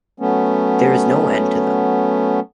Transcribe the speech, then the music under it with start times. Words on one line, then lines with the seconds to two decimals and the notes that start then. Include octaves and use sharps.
There is no end to them!
0.20 F#3 A3 B3 C#4